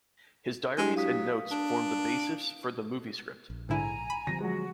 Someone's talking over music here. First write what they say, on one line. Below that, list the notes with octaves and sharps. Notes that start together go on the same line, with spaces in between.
His diaries and notes formed the basis for the movie script.
G#3 D4 E4 G4
F#3 F5 D#6 B6
D4
A#1
G#2 D3 E4 G#5 A#5
B5
D3 F3 G3 A#6
F#3 G#3 F#4